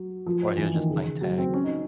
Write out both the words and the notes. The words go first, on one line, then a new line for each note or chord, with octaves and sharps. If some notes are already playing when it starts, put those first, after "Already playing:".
or he was just playing tag.
Already playing: F#3
F3
E3
D#3
C#3
F#3
C4
C#4
D#4